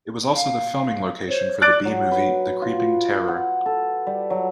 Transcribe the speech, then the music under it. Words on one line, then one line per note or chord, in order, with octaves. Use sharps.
It was also the filming location for the B-movie "The Creeping Terror".
F5
C5 C#5
D5 D6 F#6 A6 D7
F#3
B4
F4
F#5
A4
G3
F#3